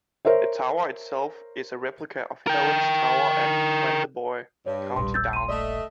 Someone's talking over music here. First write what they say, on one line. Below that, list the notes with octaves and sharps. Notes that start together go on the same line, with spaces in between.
The tower itself is a replica of Helen's Tower at Clandeboye, County Down.
A#4 C5 C#5 E5
A#4 G5
G2 C#5
D#1 A#1 C6
E6 G6 A6
C6 D#7
A3 D5 D#5